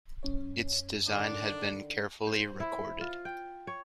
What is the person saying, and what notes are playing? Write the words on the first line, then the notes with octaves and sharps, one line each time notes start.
Its design had been carefully recorded.
F#2 C#4 C#5
D3 D#3 D4 D5
C5
E4
F4
G5
C#5